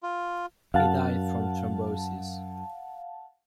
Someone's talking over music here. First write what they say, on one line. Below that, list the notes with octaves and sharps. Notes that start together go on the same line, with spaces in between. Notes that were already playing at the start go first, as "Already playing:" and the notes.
He died from thrombosis.
F4
F#2 F5 F#5 A5